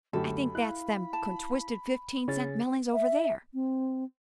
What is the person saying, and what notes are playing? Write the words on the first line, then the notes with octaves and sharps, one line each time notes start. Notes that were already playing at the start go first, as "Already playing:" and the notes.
"I think that's them contwisted fifteen-cent mellings--over there!"
F#2 D3 A3 G4 A4 B5
E4 F5 F#6
A5
C#3 C#4 G#4 A6
E5
C4